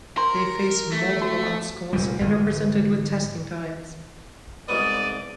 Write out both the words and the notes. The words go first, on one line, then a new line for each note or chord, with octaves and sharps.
They face multiple obstacles and are presented with testing times.
A#4 C6
A3
F#4
F1 A#2 G3
G1 G#2 E3
C2 G#2 B3 D5 D#7